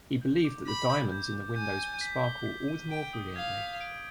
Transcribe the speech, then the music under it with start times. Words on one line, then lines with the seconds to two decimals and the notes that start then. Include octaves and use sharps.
He believed that the diamonds in the windows would sparkle all the more brilliantly.
0.22 G6
0.45 D6
0.67 B5 D6
0.90 G6
1.12 G6
1.34 G6
1.56 G#5 G6
1.79 G6
2.01 B6
2.24 G7
2.46 B6
2.68 D#7
2.91 G5 B6
3.13 D#6
3.36 F5 G#6
3.58 B6
3.81 D7